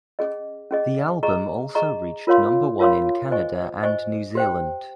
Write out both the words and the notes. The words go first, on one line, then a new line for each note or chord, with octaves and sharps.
The album also reached number one in Canada and New Zealand.
C#4 G#4 D#5
C#4 G#4 D#5
G#4 D#5 A#5 C#6
G#4 D#5 A#5 C#6
F4 A#4 C#5 F5 C6
F4 A#4 C#5 F5 C6
C5 D#5 G#5 C#6
C5 D#5 G#5 C#6
G4 C5 G5